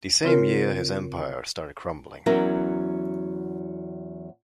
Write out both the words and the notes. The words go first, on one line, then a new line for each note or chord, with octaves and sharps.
The same year his empire started crumbling.
C#3 C4 F4 A#4
E2 F#3 C#4 E4 A#4 F#5